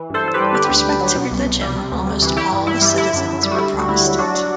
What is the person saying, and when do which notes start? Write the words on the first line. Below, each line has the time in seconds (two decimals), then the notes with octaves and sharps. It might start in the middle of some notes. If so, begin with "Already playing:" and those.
With respect to religion, almost all the citizens were Protestant.
Already playing: E3
0.10 G2 A4 C5
0.25 G2 A4
0.34 G4 B4
0.39 G3
0.54 D3 G4 B4
0.70 D2
0.85 D2
1.01 F#3
1.16 B2
1.31 C2
1.46 C2
1.61 G3
1.76 C3
1.92 D2
2.07 D2
2.22 E3
2.37 E3 E4 G4
2.52 G2
2.67 G2 E4
2.82 G3
2.98 D3 E4
3.13 F#2
3.28 F#2
3.43 G3
3.51 F#4
3.58 D3 E4
3.73 D2
3.79 F#4
3.88 D2 E4
4.04 F#3
4.19 F#3 D4 F#4
4.35 F#3